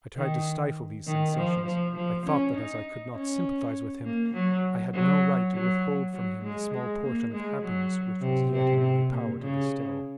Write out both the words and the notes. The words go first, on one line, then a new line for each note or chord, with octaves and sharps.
I tried to stifle these sensations; I thought that as I could not sympathize with him, I had no right to withhold from him the small portion of happiness which was yet in my power to bestow.
D#3
D#3
F3
F3
F3
C#4
D#4
C#4
A#3
F#3
F#3
F#3
F#3
G#3
G#3
A#3
G#3
F#3
C3
C3
C3
A#2
C#3